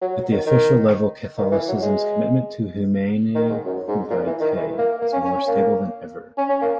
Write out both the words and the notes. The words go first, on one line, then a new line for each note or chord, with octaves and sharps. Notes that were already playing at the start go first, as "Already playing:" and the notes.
At the official level, Catholicism's commitment to "Humanae Vitae" is more stable than ever.
F#3
F#3
D#3
D#3
D#3
E3
F#3
G#3
D#3
G#2
F#2
G#2
A#2
E3
D#3
E3
A#3
A#3
C#4
C#4
C#4
A#3
C#4
C#4
A#3